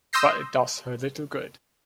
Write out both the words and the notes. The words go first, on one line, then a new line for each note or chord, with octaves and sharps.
But it does her little good.
C6 D#6 E6 G6 A#6 C7